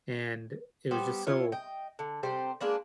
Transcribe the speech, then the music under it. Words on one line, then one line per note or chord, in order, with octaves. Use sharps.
and it was just so
G3 B3 G4 C5
E4 F4 C#5
D#5 G5
D3
C3 G3 G4 C5
G#3 A#3 D4 B4